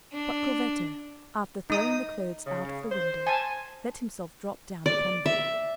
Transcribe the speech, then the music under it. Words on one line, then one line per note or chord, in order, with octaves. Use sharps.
But Corvetto, after throwing the clothes out of the window, let himself drop down upon them.
D4
D#4 D#6
C#3
C5
G#5 A5
D5
E5